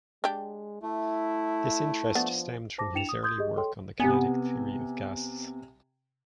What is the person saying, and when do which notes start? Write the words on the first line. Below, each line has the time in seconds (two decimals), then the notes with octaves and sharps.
This interest stemmed from his early work on the kinetic theory of gases.
0.24 G#3 D4 G4
0.82 A3 E4
2.15 F3 B3 D4
2.78 C5 A5 D6 A#6
2.94 D4 E4 G5 C#7 E7 F7
3.09 D#6
3.23 C6 D#6 G6 G#6
3.38 G4 G#4 D#5
3.57 A4 C#5 G5 C6
4.00 C3 B3 G#5